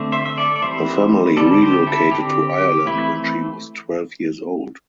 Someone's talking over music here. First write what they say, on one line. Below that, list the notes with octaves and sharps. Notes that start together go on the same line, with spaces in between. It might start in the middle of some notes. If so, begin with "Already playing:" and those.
Her family relocated to Ireland when she was twelve years old.
Already playing: D3 A3 C4
C5 E5
E5
A4 D5
D5
E3 G3 C4 C5 E5
D3 G3 C4 A4 D5
G4 C5
E4 A4
D3 C4 G4
G4
E3 A3 C4 E4